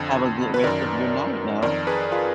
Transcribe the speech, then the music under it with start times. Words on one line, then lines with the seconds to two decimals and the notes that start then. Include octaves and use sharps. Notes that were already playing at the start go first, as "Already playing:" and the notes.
Have a good rest of your night now.
Already playing: F2 D3
0.54 B4
0.64 F#2 D#3 A#4 D5
1.62 F2 D#3 A#4 D5
1.87 G#4 B4
2.12 F4 G#4